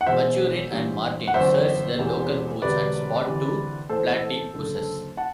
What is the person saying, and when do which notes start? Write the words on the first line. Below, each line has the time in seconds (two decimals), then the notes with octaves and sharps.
Maturin and Martin search the local pools and spot two platypuses.
0.01 F#5
0.06 E1 E2 B2 C5 E5
0.70 A1 G2 E3
1.27 F#5
1.34 G1 F#2 E3 C5 E5
1.98 E1 E2 C3 E3
2.62 E1 D2 C3 B4 D5
3.26 D2 C3 E3
3.89 A1 A2 E3 A4 C5
4.54 F#1 F#2 D3
5.17 F#5 A5